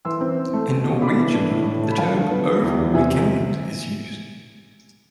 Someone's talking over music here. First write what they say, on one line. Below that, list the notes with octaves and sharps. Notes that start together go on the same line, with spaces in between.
In Norwegian, the term "oval weekend" is used.
E3 C6 E6
C4
C4
A3
B2
B2
D4 B5 D6
E3
D4
A2
A2
A3
B5
F3 F5 A5
D3
B3
B3
E2
E2
C3 E5 G#5